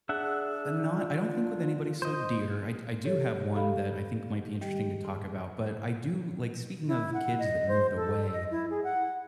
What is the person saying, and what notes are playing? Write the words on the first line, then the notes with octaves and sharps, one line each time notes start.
Eh, not I don't think with anybody so dear, I d I do have one that I think might be interesting to talk about, but I do like, speaking of kids that moved away,
D4 G#4 E5 F#5
F4
C5 D#5
G4 A4 C#5
G4 A4 F5 B5
D#3 G3 G4
G#2
E4
F#5
D#5
C5
A4
D#5
E4
G#4
F#5